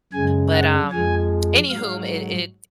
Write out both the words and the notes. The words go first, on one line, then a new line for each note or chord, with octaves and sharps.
but, um. Any whom, it it
F#2 C#3 G#3 G#5
F#5
F2 F3 G#3 G#5
G#2 F#3 F5